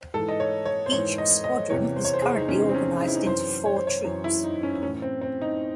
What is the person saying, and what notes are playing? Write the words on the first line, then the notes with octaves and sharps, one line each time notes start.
Each squadron is currently organized into four troops.
G#2 E3 A4
D#5
C#5
C#5
C5
G#2 E3 C#5
D#5
D#5
E2 C3 E3 C#5
C5
C#5
C5
G#4
D#4
E2 C3 E3 C#4
C4
C#4
D#4
E4
D#4
F#2 E3 C5
C#5
C5
C#5
F#2 E3
E4
D#4
C#4
A2 E3 C#4
C4
C4
D#4